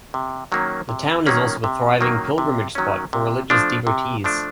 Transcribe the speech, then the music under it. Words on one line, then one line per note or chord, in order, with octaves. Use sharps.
The town is also a thriving pilgrimage spot for religious devotees.
C3
D#3 F#3 A#3 C#4
C3
D#3 F#3 A#3 C#4
C3
D#3 F#3 A#3 C#4
C3
D#3 F#3 A#3 C#4
C3
F3 A3 D4
C3
F3 A3 D4